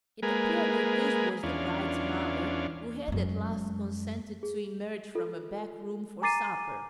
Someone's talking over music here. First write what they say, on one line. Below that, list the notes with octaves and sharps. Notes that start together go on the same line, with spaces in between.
It appeared that this was the bride's mother, who had at last consented to emerge from a back room for supper.
G#3 A#3 G#4 A#4 B4
E2 C#4 D4 F4
F#2 G#3
G#4
F4 A4
G#5 A#5 D6 A6 C7 D#7